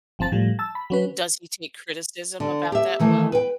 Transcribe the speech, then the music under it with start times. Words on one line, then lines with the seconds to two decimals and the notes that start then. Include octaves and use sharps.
Does he take criticism about that well?
0.19 G1 F3 C4 A5 A6
0.32 A2 F3 G3
0.59 A5 E6
0.75 B5
0.90 F#3 C#4 B4
2.40 D3
2.72 G4 E5
3.00 D#3 E3 A3
3.32 B4 G5